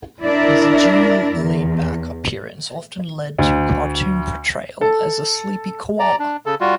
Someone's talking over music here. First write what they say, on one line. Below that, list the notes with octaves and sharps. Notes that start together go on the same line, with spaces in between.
His genial, laid-back appearance often led to cartoon portrayal as a sleepy koala.
D4 E4 A#4 D5 E5
E2
D2
A4
D5 A#5
D4
C#3 A4
G3 F4 F#4